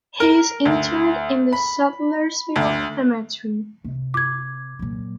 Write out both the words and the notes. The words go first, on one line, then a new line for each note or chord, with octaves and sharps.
He is interred in Sudlersville Cemetery.
A#4
D2
B5
D2
C3
D6 G#6
A#2 F#3